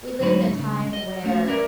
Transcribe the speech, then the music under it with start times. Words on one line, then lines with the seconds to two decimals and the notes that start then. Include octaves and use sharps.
we live in a time where,
0.20 D2 G#2 F#3 D#4 C#5 B5
0.55 G2 A#2 C#3
0.93 D#5
1.23 F2 A3 C#4 F#4
1.48 C#4 A#4 D5 E5